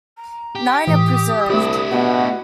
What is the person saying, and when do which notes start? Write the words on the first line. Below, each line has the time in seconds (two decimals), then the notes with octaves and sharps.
Nine are preserved.
0.17 A#5
0.55 G4
0.87 A2 E3 D#6
1.50 C2 A3 D4 E4 G4
1.91 B2 F#5